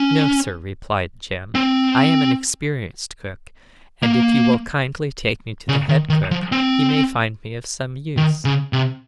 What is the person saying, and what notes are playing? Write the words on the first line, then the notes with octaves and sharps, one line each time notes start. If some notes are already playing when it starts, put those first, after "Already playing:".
'No, sir,' replied Jem. 'I am an experienced cook, and if you will kindly take me to the head cook he may find me of some use.'
Already playing: C#4
C4
A#3
C#3
D#3
D#3
F3
C4
D#3
C#3
C3